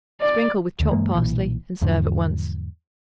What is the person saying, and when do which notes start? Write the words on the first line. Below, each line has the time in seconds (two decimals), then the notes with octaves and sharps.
Sprinkle with chopped parsley and serve at once.
0.21 D5
0.80 D#2 D3
0.92 G2 E3 G#3 A#3
1.14 B1 A#2 E3
1.82 E2 G#2 D3 F3